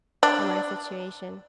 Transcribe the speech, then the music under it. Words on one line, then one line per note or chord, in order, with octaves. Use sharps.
in my situation.
D4